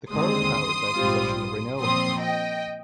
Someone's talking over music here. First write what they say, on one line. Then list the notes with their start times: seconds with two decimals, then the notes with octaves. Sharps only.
The car was powered by a succession of Renault engines.
0.11 D#2 D3 G#3 C4 C6 D#6
0.96 A#1 G#2 G3 C4 F4
1.80 A#2 F3 C4 C6 D#6
2.22 D#5 G5